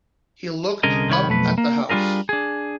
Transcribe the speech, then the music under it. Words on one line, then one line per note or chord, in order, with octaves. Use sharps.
He looked up at the house.
C2 D3 C#4 G#4 A#4 D#5
C2 D#3 F4 C#5 B5
B1 F2 A3 B4
A#3
G3 D4 F4 G#4 A#4
D4 G#4